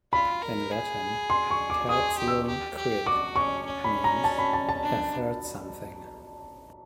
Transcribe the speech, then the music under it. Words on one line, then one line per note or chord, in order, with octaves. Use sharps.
In Latin, "tertium quid" means "a third something".
F4 B5
A#4
G#4
C6
C#6
D6
G#4 D#6
G4
E6
G4
G4
F#4 D6
C#4 C#6
C#4
B5
A#5
A5
B5
A5
A5
D4